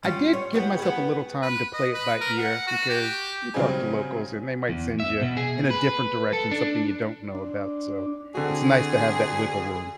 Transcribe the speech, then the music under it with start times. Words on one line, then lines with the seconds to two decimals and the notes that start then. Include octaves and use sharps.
I did give myself a little time to play it by ear because you talk to locals, and they might send ya in a different direction, something you don't know about, so, it's nice to have that wiggle room.
0.03 G3 C#4 F4
0.33 C#5
0.53 E3 B3 G4
0.79 B3 G#4
1.42 B4
1.74 D#5
1.94 B4
2.21 A#4
2.38 F#5
2.67 F#4
2.89 G4
3.54 C#3 F#3 G3 C4 G#4 G#5
4.69 E2
5.00 E5
5.21 B2
5.37 G#4
5.71 B4
6.33 A4
6.51 D4
7.35 D4
8.35 D3 C4 F#4 G#4